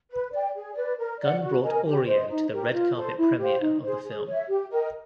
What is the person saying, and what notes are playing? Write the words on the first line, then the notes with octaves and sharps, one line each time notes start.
Gunn brought Oreo to the red carpet premiere of the film.
B4
D5 G5
G#4
B4 D5
A#4
D5 F#5
F#4
A#4 D#5 G#5
G4
C5 D#5
D#4
G4 A#4
F4
A4 C5
E4
G4 C5 F5
D#4
G#4 C5
G#4
C#5 E5
G4
A#4 D#5 G5